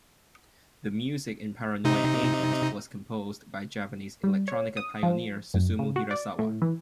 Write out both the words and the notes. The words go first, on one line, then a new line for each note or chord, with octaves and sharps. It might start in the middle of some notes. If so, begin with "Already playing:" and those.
The music in "Paranoia Agent" was composed by Japanese electronica pioneer Susumu Hirasawa.
C3 D#4
G3
C#5
D#6
F3
F#2
C#3
F#4
D5
A2
E3